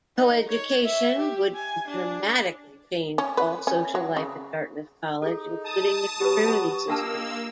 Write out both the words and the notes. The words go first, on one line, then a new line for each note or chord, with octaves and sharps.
Coeducation would dramatically change all social life at Dartmouth College, including the fraternity system.
D#4
C#5
E5
G4
G#5
D4
C#4
B4
C#4
F#3
C#3
D#4 G#4 A4
A5 D#6
F#3 B3 F#4 G4 B4
A#3 D4 F4 D#5 G5 A5 E6